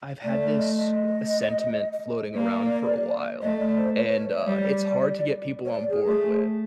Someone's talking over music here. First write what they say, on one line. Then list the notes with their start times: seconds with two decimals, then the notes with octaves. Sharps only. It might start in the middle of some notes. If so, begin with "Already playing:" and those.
I've had this, uh, sentiment floating around for a while, and, uh, it's hard to get people on board with.
0.24 A3 D5
0.42 D5
0.58 D#5
0.76 D#5
2.35 A#3 D5
3.42 A3 D#5
3.59 D5
3.77 C5
3.95 B4
4.12 C#5
4.29 D5
4.40 C#5
4.47 G3 D5
5.65 C#5
5.72 D5
5.89 G#4
6.06 A3